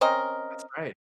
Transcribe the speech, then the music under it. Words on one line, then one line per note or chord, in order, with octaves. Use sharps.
That's great.
C4 C#4 A#4 D#5